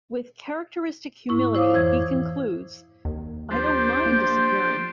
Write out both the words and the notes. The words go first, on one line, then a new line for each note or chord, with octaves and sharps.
With characteristic humility, he concludes, I don't mind disappearing!
G#2 A#3 E4 C#6
E4 C5 C#5 F5 D6 D#6
F2 E3 C5 E6 G#6
D#2
F3 D4 G4 C5
A#3